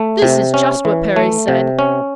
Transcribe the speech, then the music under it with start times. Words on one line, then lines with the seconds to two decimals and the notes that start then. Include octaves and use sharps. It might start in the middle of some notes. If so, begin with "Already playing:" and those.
This is just what Perry said.
Already playing: A3
0.22 C3
0.54 C#4
0.85 E3
1.16 A3
1.48 C3
1.79 C#4